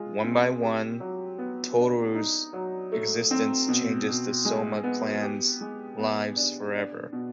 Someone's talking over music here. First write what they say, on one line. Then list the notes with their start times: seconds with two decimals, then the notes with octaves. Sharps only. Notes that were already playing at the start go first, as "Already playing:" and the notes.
One by one, Tohru's existence changes the Sohma clan's lives forever.
Already playing: G#3 F4
0.24 C4
0.62 G4
1.00 F#3
1.38 B3
1.77 D4
2.15 D#4
2.53 F#3
2.92 A3
3.31 C4
3.68 B2
4.07 B2
4.45 G#3
4.84 B3
5.22 G4
5.61 G#3
5.99 B3
6.36 D4
6.75 D4
7.13 B2